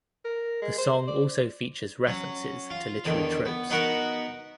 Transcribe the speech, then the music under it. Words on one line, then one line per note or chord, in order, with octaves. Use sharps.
The song also features references to literary tropes.
A#4
G#3
C5
D5
F#3 C#4
F4
E2 D3 D#3
B3
B3 D#4 F#4 A#4 B4 F#5